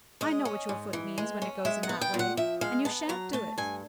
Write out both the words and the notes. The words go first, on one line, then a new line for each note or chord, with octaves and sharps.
I know what your foot means when it goes in that way; and you shan't do it.
G#3 D#5
C#4
G#2
E3
G#3
C#4
G#3 E5
F#5
B3
G5
A#2
F#5
F3 E5
G#3 F5
B3 A5
F#3 A#5
A3 A5
G2 G#5